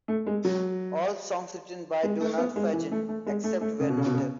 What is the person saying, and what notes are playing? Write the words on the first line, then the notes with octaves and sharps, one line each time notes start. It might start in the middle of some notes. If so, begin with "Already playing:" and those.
All songs written by Donald Fagen, except where noted.
A3
G#3
F#3
G#3
A3
B3
G#3
E3
A3
A3
G#3
A3
A3
C#3
B2
C#3
B2
C#3